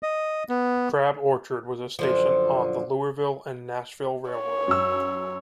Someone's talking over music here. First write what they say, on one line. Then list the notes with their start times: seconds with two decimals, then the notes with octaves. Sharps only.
Crab Orchard was a station on the Louisville and Nashville Railroad.
0.03 D#5
0.49 B3
1.99 F#2 D3 F3
4.31 C#5
4.68 F#2 E6